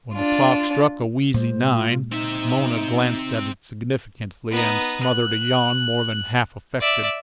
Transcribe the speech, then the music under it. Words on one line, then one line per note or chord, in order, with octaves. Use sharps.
When the clock struck a wheezy nine Mona glanced at it significantly and smothered a yawn more than half affected.
D4 F4
A#2 G#3 C5
F4
C4 D#4 E5
B3 D#4
F#6
D5 E5